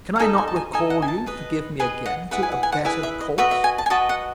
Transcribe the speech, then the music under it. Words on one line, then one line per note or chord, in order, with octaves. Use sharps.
Can I not recall you--forgive me again!--to a better course?
F#5
D#4 A4 D#5 G#5
G#5
A5
G#5
D#4 A4 D#5 G#5
F#5
G#5
A5
G#4 B4 D#5
G#4 B4 D#5 G#5
F#5
E4 G#4 B4 F#5
G#5
F#5
G#5
F#5
E4 G#4 B4 G#5
E5
D#5
F#4 B4 D#5 E5
E5
G#5
A5
G#5
F#4 B4 D#5 A5
F#5